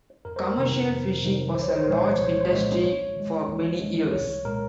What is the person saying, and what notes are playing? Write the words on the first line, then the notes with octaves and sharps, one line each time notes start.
Commercial fishing was a large industry for many years.
F2 A#4
C5
A#4
C3 D#3
F2
C3 D#3
C2 C5
C#5
C5
C#5
C5
A#2 F3 G#3 C#5
C5
C#5
C5
C2 C#5
C5
C#5
C5
A#2 F3 G#3
D#2 C#5
D#3 G#3
D#2
D#3 G#3
C2 C#5
A#2 G#3 A#4